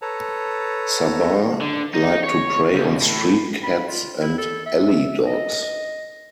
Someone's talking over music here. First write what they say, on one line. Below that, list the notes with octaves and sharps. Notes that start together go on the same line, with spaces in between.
Sabaw like to prey on street cats and alley dogs.
A4 B4 C#5 A5 A#5
D3
D#4
C#5
C#2
A2
B5
F4
E4
A4
E5
D#5
D#5